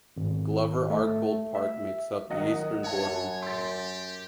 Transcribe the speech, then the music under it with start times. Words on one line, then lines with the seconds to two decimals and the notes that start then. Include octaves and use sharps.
Glover-Archbold Park makes up the eastern border.
0.17 G#1
0.90 A3
1.55 E5
2.30 D#3 F#3 D#5 F#5
2.84 F#2 C#5 F#5 A5
3.43 G4 C6 A6